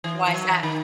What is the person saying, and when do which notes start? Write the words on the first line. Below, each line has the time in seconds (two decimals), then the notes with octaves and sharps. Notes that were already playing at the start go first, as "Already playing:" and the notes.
Why's that?
0.04 E3
0.27 E3
0.34 F#3
0.49 E3
0.63 D#3